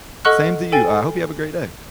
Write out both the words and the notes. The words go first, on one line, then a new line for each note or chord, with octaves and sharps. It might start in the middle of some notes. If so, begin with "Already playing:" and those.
Same to you, I hope you have a great day.
A4 D#5 F#5 C#6 F6 F#6
A4 G5 G#5 A6